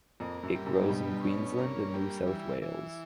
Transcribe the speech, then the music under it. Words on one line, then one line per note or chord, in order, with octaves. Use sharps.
It grows in Queensland and New South Wales.
F2 A#3
F#2
G3
F#2
G#2
G2 B2
C#4
A#3
G3
E3
E3